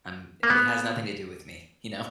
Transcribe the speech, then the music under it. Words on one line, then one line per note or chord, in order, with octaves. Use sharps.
I'm i it has nothing to do with me, you know?
A#3
B3